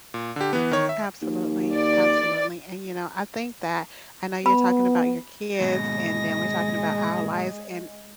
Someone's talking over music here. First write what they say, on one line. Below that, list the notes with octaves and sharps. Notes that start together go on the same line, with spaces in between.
Absolutely, absolutely. And, you know, I think that I know you're talking about your kids, and then we're talking about our lives and
A#2
D3 G4
E3 B3
D#3 C#5
E5
D#2
D5
B3 B5
D#2 G#2 B2 G#3 A#6